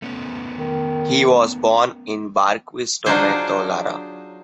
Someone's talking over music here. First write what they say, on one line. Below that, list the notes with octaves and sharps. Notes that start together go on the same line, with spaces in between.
He was born in Barquisimeto, Lara.
A3 B3 C#4
D#3
F#3 D4 D#4 F4 G#4 C5